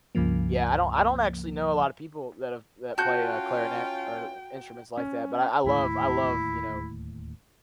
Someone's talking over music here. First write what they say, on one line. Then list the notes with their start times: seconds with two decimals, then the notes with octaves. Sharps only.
Yeah, I don't I don't actually know a lot of people that have that play, uh, clarinet or instruments like that, but I I love I love, you know,
0.15 C#2 G2 C#3 F3 A#3
2.98 C#4 F4 F#4 G5 A5 G6
4.97 C#4
5.64 D1 D#2 A2 E4